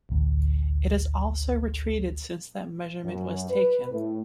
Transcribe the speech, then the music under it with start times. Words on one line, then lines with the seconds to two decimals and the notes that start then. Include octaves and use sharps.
It has also retreated since that measurement was taken.
0.09 A1 D2
3.05 F#2
3.49 B4
3.90 A2